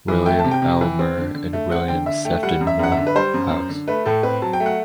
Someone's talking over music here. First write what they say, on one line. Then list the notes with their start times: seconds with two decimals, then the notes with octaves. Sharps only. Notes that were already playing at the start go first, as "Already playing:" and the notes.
William Aylmer and William Sefton Moorhouse.
0.08 E3
0.26 A3 G5
0.39 A5
0.44 C3
0.51 G5
0.62 C3
0.81 E3
0.99 C4
1.17 D3
1.34 D3
1.53 A3
1.70 C4 F#5
1.88 D3 G5
2.06 D3 E5
2.25 A3 G5
2.43 G3 F#5
2.61 F#2
2.67 E5
2.79 F#2 F#5
2.92 E5
2.97 D3
3.07 B4
3.15 G3 C5
3.34 F#2
3.51 F#2
3.69 D3
3.87 A3 B4
4.06 A2 A4
4.23 C4 B4
4.42 F#3 A5
4.53 G5
4.60 A3
4.66 F#5